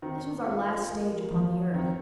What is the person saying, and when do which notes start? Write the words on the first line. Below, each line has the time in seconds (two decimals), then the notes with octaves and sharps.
This was our last stage upon the earth.
0.02 D#3 C4
0.45 F4
0.88 A#4
1.31 F3
1.74 D#3 C4